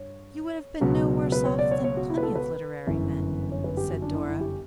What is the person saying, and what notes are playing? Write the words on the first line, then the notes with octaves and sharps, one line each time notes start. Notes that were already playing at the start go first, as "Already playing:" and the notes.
'You would have been no worse off than plenty of literary men,' said Dora.
Already playing: G2 C#5
C#2 B2 F#3 B3
B4
C#5
D5
C#5
C#5
F#4
E4
B4
A4
B4
G1 F#2 E3
C#5
B4
G4
F#4
D4
E4
E4
G4